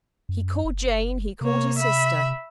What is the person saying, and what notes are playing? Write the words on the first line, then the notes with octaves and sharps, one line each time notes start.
He called Jane; he called his sister.
F#2
F#1
C3 A#3 C#5
E5 B5